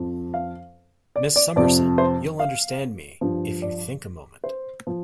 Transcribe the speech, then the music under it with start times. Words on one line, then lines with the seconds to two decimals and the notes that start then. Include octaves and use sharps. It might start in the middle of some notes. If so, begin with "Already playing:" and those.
Miss Summerson, you'll understand me, if you think a moment.
Already playing: F2 F3
0.34 F5
1.16 D5
1.36 D5
1.56 F2 C3 F3 D5
1.98 C5
2.39 F5
3.21 G2 F3
3.62 D5
4.44 C5
4.87 F3